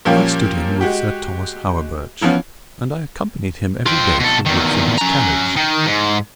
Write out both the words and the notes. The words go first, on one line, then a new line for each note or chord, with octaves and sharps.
I stood in with Sir Thomas Hawerburch, and I accompanied him every day to the woods in his carriage.
A#2 F3 G3 A#3 C#4 G4
G#3 F#4 G4
E3 F3 B3 C#4
F4 G5
B2 A4
E2 D#3
C#4 A#5
D#3
G#2